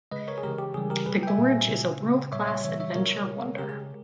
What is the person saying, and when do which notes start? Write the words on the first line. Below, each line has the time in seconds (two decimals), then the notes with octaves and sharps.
The gorge is a world-class adventure wonder.
0.12 C#3 G#3 B4 D#5
0.28 A#4 C#5
0.38 G#4
0.43 C#3 E3 G#3 G4 A#4
0.58 G4
0.74 C#3 E3 G3 G#4
0.90 G4 A#4
1.06 B2 G3 G#4 B4
1.23 G5
1.27 E5 G#5
1.38 A#2 G3
1.69 C#3 G#3
2.01 C#3 G#3
2.32 A#2 G3 C#5 E5
2.48 C#5 E5
2.63 C#3 E3 G3 C#5 E5
2.80 C#5 E5
2.95 B2 G3 A#4 C#5
3.27 C#3 G#3
3.58 C#3 G#3 G4 A#4
3.69 G#4